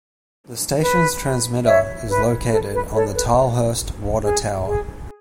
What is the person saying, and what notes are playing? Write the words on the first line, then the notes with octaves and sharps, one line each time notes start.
The station's transmitter is located on the Tilehurst Water Tower.
B4
C#5 E5
B4
A4
B4
A4 C#5
B4
G#4
G#4